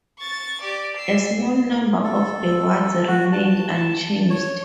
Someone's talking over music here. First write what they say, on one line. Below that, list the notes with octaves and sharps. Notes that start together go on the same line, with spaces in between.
A small number of the wards remained unchanged.
C#6 A6
G4 D5
E6 C7
A4
F#4
A5
C#5